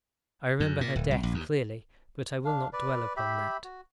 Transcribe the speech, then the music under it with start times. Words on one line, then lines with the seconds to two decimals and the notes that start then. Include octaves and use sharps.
I remember her death clearly, but I will not dwell upon that.
0.60 F#2
0.81 A#2
0.96 D1
1.11 C2
1.23 A#1
1.34 D#2
2.45 D4 F5
2.73 B4 D5
3.16 G4 E5 B5
3.64 F#4